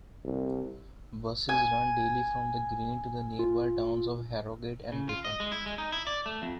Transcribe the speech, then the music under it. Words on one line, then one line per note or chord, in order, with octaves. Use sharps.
Buses run daily from the green to the nearby towns of Harrogate and Ripon.
C2
G#5
F4
C#3
F4
D#5
G#3
E4
G#3
D#4
E4
D5
A3
F2